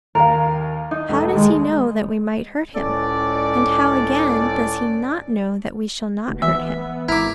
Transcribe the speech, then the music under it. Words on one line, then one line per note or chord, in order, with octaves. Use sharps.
How does he know that we might hurt him? and how again does he not know that we shall not hurt him?
D#2 A#4 F5
D#4
E1 A3
D#2 G#3
C#2 A2 C#4 A4 D5
F1 B2
E3 B3 E5
G#1 E4 A#4 D6